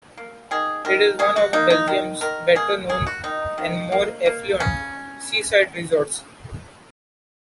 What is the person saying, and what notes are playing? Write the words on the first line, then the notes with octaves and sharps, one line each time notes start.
It is one of Belgium's better-known and more affluent seaside resorts.
A#3
D#3 G#4
D#3 A#4
A#3 G#4
F#4
A#3 D#4
D#4
D#3
D#3 A#4
A#3 G#4
A#3 G#4
F#4
D#3 D#4
D#3
A#3
A#3
C#3 C#4